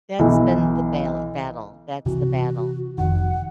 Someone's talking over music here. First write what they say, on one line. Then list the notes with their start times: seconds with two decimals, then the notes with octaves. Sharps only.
That's been the bal battle, that's the battle.
0.19 B1 E3 E4
2.06 C3 E3 F#4
2.98 F1 F2 D#3 F#5